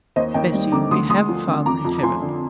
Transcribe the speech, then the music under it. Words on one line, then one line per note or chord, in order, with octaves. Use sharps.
'Bessy--we have a Father in Heaven.'
D#2 C5 D#5
D#2 D#5 G5
G3
D3 A#5 D6
D2 C6 D#6
D2 C6 D#6
F3
D3
F2 A#5 D6
F2
F3 G#5 C6
D3